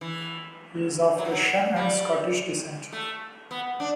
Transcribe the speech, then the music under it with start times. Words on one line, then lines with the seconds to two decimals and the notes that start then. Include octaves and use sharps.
He is of Russian and Scottish descent.
0.01 E3
1.18 F#3
1.25 E3
1.32 F#3
1.76 G3
2.93 A3
3.51 B3
3.80 D4